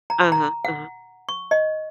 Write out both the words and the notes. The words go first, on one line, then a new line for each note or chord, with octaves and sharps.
Uh-huh. Uh-huh.
A#5
A#5
F#5
C#6
D#5